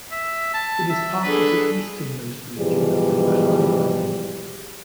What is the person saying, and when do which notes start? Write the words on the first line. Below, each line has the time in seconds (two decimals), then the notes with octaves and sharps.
It is part of the easternmost region of the Lehigh Valley.
0.11 E5
0.54 A5
0.90 E5
1.23 D4 G#4 A4 B4
2.57 G#2 B2 E3 F3 G3 G#4